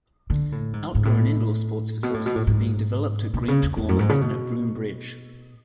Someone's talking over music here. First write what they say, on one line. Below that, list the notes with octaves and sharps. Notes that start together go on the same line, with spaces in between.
Outdoor and indoor sports facilities are being developed at Grangegorman and at Broom Bridge.
D3
A2
G#2
G#2
A2
B2
A2
B2
A2
G#2
B2
C#3
E2
E2
F#2
G#2
C#3
B2